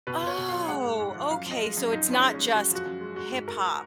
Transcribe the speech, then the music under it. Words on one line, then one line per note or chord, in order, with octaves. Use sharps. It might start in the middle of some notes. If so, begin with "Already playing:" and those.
"Oh, okay." So it's not just hip hop
B2 B4
B2 C#5
B2
F#3 F5
G#3 F#5
G#2
G#2
F3
F#2 F5
F3 D#5
G#3
F#2
F3 D#4
F3 C#4
G#3
C#4
G#3
F#2 F#4
F3 F#4
F#2
G#3
G#3 F#4
G#2
G#2 A#4